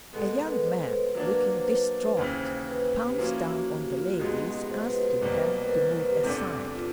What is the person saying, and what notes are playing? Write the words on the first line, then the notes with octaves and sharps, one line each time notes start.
A young man, looking distraught, pounced down on the ladies, asking them to move aside.
B2 G#3 B3 A4
A#4
B4
C5
F#3 A#3 D4 B4
A#4
B4
C5
D#2 C#3 E3
B4
G4
F3 A#3 C#4 E4 F#4
F#4
G4
F4
F#4
G4
C#2 B2 G#3 B3 D#4 G#4
C5
B4
B4
C2 B2 G3 A#3 C5
B4
A#4
B4
A#4
B4
C5
B4
G4
E2 C3 E3 A3 D4
F4